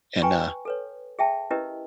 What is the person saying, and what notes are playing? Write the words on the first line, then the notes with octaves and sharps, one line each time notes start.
and, uh
B4 G5 G#5 A#5 B5 C#6
A4 B4 C#5
G#4 E5 G5 A5
C#4 E4 G4 A#4 B4 D#5